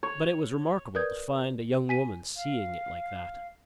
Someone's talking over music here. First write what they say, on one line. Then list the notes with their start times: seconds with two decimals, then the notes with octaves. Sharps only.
But it was remarkable to find a young woman seeing it like that.
0.03 C#5
0.95 A#4 B4 D5 D#6 G6 G#6
1.89 G#5 B6 D#7
2.37 F5